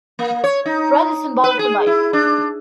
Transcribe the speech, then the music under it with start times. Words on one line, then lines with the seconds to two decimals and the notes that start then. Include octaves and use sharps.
Bread is symbolic for life.
0.19 A#3
0.44 C#5
0.66 D#4
1.44 B4
1.59 G#4
1.87 E4
2.13 D4